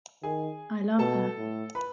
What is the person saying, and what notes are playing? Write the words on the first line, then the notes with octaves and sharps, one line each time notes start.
I love her.
D#3 G#4 G#5
B2 A4 A5
A2
B4 B5